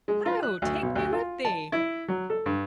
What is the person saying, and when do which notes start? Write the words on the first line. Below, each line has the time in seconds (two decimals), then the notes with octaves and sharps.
'Oh! take me with thee!'
0.08 G#3
0.26 F4
0.43 F#6
0.62 D2
0.83 B1
0.95 D2
1.12 F4
1.45 A5
1.72 E4
2.08 F#3
2.30 A4
2.46 G2